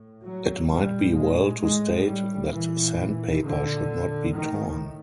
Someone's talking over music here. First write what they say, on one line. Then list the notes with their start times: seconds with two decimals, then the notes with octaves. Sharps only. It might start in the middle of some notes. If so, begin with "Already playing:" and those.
It might be well to state that sandpaper should not be torn.
Already playing: A2
0.25 F#3
0.70 A#2 G3
1.16 G#3
1.61 A2 G#3
2.07 G3
2.52 A#2 E3
3.44 A#2 D3
4.35 A2 D#3